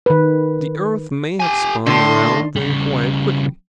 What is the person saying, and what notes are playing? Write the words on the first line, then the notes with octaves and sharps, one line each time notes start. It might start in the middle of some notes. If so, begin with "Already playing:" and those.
The earth may have spun round then quite quickly.
D#3 B4
G4 G#5
A2 D3 C6
C#3 G3